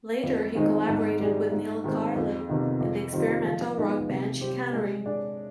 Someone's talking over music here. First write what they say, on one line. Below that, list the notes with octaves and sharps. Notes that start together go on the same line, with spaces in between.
Later he collaborated with Neil Carlill in the experimental rock band Chicanery.
F2
D#3 G#3 C4 D#4
G#2
G3 D4 G#4
G#2
D#3 G#3 C4
F2
C3 D#3 B3
F2
D#3 G3 C4 F4
F3
G#3 B3 D#4
C3
G3 C4 G4 C5
G#3
D4 G#4 D5